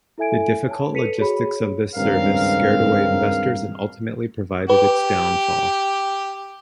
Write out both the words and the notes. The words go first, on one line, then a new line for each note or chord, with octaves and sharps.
The difficult logistics of this service scared away investors and ultimately provided its downfall.
E4 A4 E5 G#5 G#6 D7
C#5 A5
A4 B4 B6 C#7 D#7 F7
F#4 G#4 C#5 B5
G#1 C#2 G2 C4 A#4 F5
G4 B4